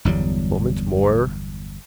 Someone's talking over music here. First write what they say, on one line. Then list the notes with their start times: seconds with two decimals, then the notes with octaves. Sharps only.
Moment more.
0.05 G1 E2 F#3 G3